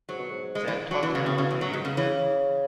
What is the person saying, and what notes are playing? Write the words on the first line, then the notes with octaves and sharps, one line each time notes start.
They are talking of a Commune.
G#2 F#3
B2
G#2
G#3
E3
F#3
B2 E3
C#3
C#3
C#3
E3
F#3
G#2
C#3
C#3 E3